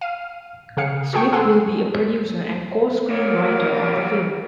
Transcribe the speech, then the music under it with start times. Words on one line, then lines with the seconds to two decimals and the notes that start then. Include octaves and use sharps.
Smith will be a producer and co-screenwriter on the film.
0.01 F5 F6 D#7
0.77 C#3 G#4 F5 C#7
1.13 F#4 G#4 A4 G5 C#6
1.33 A4 F#5 G#5 C6 E6
3.10 G3 A#3 C#5